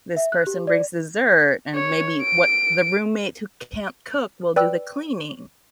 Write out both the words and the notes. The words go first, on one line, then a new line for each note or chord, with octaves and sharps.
this person brings dessert, and maybe what the roommate who can't cook will do the cleaning.
E5
F#6
G4
D5
C#5
D7
B4 D5 G5 E6 F#6